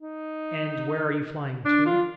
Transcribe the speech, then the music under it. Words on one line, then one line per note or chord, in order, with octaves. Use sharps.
"And where are you flying to?"
D#4
D4
F4